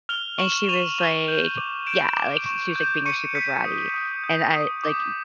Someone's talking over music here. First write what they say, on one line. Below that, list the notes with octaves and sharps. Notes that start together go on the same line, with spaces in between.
And she was, like yeah, like, she was, like, being a super bratty and I like
F6 F7 G7
C#6 E7 F#7
C#6 D#7 F7
C#6
G6
D6
G6 D7 E7
D6
C#6
G6
C#6 C#7 D#7
G6 B6 C#7
D#6
D#6
G6
D#6
D6